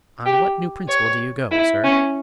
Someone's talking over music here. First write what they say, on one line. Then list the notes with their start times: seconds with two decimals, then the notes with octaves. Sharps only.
"On what new principle do you go, sir?"
0.26 G4
0.89 C#5
1.51 E4
1.84 C#4